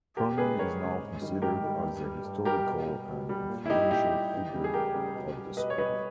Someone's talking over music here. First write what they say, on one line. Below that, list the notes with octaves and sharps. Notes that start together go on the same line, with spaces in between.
Prony is now considered as a historical and influential figure of the school.
E2 G4 A#4
C#3 G#3 G#4 B4
E2 A#4 C#5
C#3 G#3
G#2
D#3 G3
G#2 G4 A#4
D#3 G3
G2
G3
G2
G3 G4 A#4
B2
G3
B2
G3
A#2
E4
G3 D#4 G4
A#2 D#4 G4
G3
E2
C#3 G3
G#4
E2 G4 A#4
C#3 G3
B2
G3
B2 B4 D#5
C#5
G3 B4 D#5